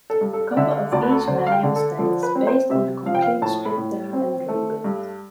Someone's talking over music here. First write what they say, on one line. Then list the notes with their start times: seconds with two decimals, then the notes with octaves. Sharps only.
The cover of each manual states: "based on a complete stripdown and rebuild".
0.10 A4
0.21 G2
0.33 A4
0.51 D5
0.57 D3 E5
0.74 F5
0.92 D2 D5
1.03 B4
1.10 A4
1.27 D3 C5
1.47 F5
1.52 G5
1.63 D3
1.76 A4
1.99 F3 A4
2.23 B4
2.35 C4
2.47 C5
2.70 C3 E5
3.06 F3 F5
3.15 G5
3.22 F5
3.42 A2 A5
3.65 B5
3.78 A2
4.13 C4
4.48 A3
4.84 G2